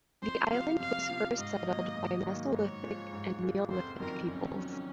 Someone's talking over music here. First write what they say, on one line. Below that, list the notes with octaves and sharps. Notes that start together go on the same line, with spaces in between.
The island was first settled by Mesolithic and Neolithic peoples.
F2 C5
C3 F3 F5
F2 F5
C3 F3
G#2 D#5
D#3 F#3 A#3
G#2
D#3 F#3 A#3
G#2 C#5
F3 G#3
G#2
F3 G#3
F1 C5
F2 D#3 F#3 A#4
F1 C#4
F2 D#3 F#3